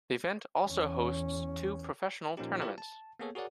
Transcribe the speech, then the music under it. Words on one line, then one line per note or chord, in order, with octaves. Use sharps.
The event also hosts two professional tournaments.
E2 C#4
A#2 F3 A#3 C#4 D#4 G4
E4 F4 G4 A#4 D5
A5
A#3 B3 G#4 A4 C#5
F#4 G#4 A#4 C#5 D5 F#5